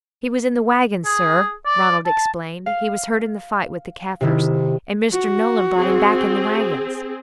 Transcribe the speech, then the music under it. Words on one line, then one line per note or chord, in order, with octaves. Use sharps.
"He was in the waggon, sir," Ronald explained; "he was hurt in the fight with the Kaffirs, and Mr. Nolan brought him back in the waggons."
G#4
D5
A5
F5
C3 D#3 E4
F#4
C4 G#4